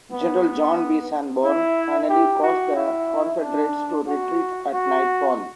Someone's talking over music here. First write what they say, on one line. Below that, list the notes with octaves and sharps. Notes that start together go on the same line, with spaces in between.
General John B. Sanborn finally caused the Confederates to retreat at nightfall.
B3
E4
G4
F#4
E4
D4
F#4
F#4